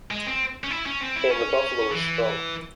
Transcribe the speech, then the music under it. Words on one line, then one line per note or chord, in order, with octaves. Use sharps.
And the buffalo is strong.
G#3
C4
C#4
E4
C#4
C4
E4
C#4
E3